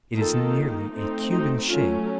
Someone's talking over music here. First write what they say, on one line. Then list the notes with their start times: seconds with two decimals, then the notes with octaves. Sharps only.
It is nearly a cube in shape.
0.16 D#3 A#3 D#4 F4 A4
0.92 A3 C4 D#4
1.30 D#4 F#4
1.67 F#3 A3 C#4 F4